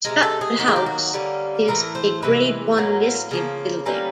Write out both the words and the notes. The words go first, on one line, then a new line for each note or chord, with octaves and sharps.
Stratford House is a Grade One listed building.
C3 D#3 G#3 A#4
A4
G#4
D#3 F#3 A#3 G4
G#4
G4
F#4
D3 G3 A#3 C#4
A2 E3 A3 A#4
C5
C3 E3 G#3 B4
A2 F#3 A#3 C#4
C#3 F3 A#3
D3 G3 A#3 C#4 B4